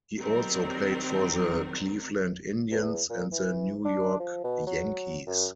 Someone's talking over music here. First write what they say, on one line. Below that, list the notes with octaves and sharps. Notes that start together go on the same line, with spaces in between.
He also played for the Cleveland Indians and the New York Yankees.
D#3 F#3 G3 C4 A#4
E2
A#2
E3
D4
F3
B2
F#3
F#2